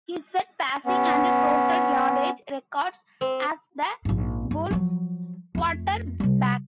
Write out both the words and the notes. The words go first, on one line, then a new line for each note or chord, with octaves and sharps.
He set passing and total yardage records as the Bulls' quarterback.
B3 C#4
C4
A#1 G#2
G2
F3 F#3
F2 A3
C3 G3